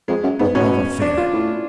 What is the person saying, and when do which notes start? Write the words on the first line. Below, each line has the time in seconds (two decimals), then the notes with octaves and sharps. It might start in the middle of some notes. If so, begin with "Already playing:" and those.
A love affair!
0.08 F2 G#3
0.23 F#2
0.39 G#2 B3
0.55 B2 C#4
1.02 D4
1.17 F4
1.33 A2